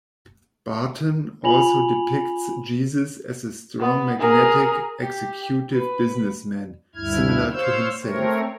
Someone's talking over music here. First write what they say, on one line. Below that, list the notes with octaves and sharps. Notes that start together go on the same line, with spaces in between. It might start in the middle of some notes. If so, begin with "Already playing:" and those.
Barton also depicts Jesus as a "strong magnetic" executive businessman, similar to himself.
F4 G#5 B5 F7 F#7
B3
G#4 A#4
G4
B4
D2 G2 E4 F6 G#6
C5 C#5 F5 E6 G6
A3 C4 A#4 C#5